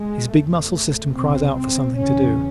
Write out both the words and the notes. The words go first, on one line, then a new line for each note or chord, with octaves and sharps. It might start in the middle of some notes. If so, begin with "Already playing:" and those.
His big muscle system cries out for something to do.
Already playing: G#3
E2 C#3 A3
C2 C3 C4
C4
E2 C#3 C#4